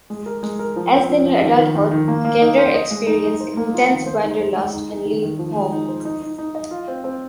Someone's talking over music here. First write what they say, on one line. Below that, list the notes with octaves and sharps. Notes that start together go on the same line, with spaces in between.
As they near adulthood, kender experience intense wanderlust and leave home.
G#3
A#4
G#3
A#4
F3
C4
F3
F3
D#3
D#3
D#3
D#3
A#3
A#3
D#4
C5
D#5
G#3
D#4
D#4
C5
A#3
F4
D#3
C5
D#4
C5
G#3
D#4
D#4
D#3
D#3
F3
G#3
D#4
C5
D#4
D#4
D#4
D#5
F4
C4
C4